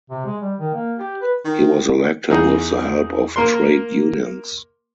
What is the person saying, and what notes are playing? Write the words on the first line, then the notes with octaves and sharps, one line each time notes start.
He was elected with the help of trade unions.
C3
G#3
G3
D#3
A#3
G4
B4
D#3
E2 D#4 G#4
A#3 A#4 C6